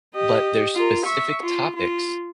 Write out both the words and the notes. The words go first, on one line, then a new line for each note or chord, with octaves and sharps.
but there's specific topics,
G4 D#5
F4 A#4
E5 C#6
F4
F4